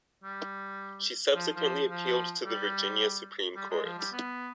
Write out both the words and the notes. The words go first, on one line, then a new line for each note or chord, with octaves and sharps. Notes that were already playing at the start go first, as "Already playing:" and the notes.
She subsequently appealed to the Virginia Supreme Court.
G3
F3
F3
F3
G3
G3
G#3
F3
G3
B3